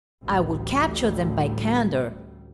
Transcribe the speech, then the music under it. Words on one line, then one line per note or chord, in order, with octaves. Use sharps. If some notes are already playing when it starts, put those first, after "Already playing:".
I will capture them by candour.
A1 D2 A2 G3